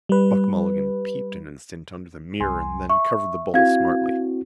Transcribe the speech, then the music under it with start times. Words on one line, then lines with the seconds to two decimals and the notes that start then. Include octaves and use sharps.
Buck Mulligan peeped an instant under the mirror and then covered the bowl smartly.
0.09 G3 B4
2.40 C2 G#5 C6
2.90 E5 C#6
3.54 C4 E4 F#4 F5 G#6